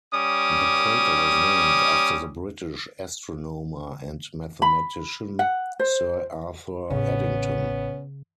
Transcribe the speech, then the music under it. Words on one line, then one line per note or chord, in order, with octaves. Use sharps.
The crater was named after the British astronomer and mathematician Sir Arthur Eddington.
G3 C#4 D6 D#6
B5
F#5
C5
A1 C#3 B3 C#4